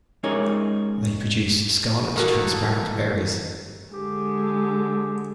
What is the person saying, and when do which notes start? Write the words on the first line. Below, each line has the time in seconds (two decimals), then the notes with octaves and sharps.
They produce scarlet, transparent berries.
0.23 G#3 C#4 D#4 G#4 A#4 C#5
2.16 D#3 E3 G3 A#3 F#4 A4 A#4 A#5
3.94 D3 G#3 G4